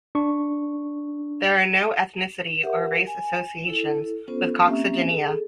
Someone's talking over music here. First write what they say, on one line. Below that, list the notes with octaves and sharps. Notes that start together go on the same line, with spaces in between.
There are no ethnicity or race associations with coccydnia.
D4 C#6
G4 A#4 E5 F#5
G#5
E4 A4
B3 C#4 F4 A4 C5
A#3 C4 C#4 G4 E5
G#4 A4